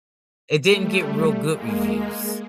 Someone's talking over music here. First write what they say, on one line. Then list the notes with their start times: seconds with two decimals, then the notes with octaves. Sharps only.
It didn't get real good reviews.
0.65 G3 A3
1.50 G#3 A#3